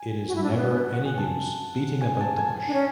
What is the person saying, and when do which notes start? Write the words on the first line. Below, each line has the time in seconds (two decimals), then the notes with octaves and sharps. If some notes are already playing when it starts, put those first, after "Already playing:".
It is never any use beating about the bush.
Already playing: G#5
0.28 F#4
0.35 E4
0.43 D4
0.50 C#4
0.57 B3
0.94 F#5
1.05 G#5
1.18 A5
2.01 G#5
2.20 A5
2.37 G#5
2.68 D4
2.74 C#4